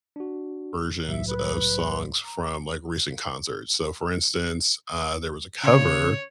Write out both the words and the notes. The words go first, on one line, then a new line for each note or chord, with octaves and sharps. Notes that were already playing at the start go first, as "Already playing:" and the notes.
versions of songs from, like, recent concerts so, for instance, uh, there was a cover
D4 F#4
C2 A2 F#3 E5
B4
A#5
C#3 C#5